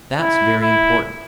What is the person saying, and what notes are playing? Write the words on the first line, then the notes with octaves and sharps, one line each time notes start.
That's very important.
E4
E4